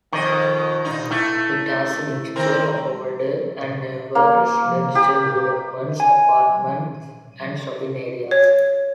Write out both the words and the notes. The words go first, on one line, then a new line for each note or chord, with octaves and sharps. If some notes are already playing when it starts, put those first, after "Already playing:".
It has a mixture of older and newer residential developments, apartments, and shopping areas.
F2 B2 D#3 D#5
G2 D#4
A3 E4
D#3 C4 A#4
A#3
G4
G#5
C#5